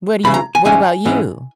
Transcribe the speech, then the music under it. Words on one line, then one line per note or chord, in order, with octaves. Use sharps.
What do you what about you?
D#2 C#3 E3 B5
A#5
G#5
G#2 E3 G#3 C#4 G#5
G#2 E3 G#3 C#4